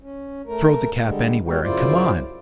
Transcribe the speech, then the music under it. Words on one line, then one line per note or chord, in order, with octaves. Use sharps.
"Throw the cap anywhere and come on!"
C#4
A3 A#4
D3 G3 G#3
G#3 A#3 F#4 G4
F#2 C#3 E4 F4 C5 D5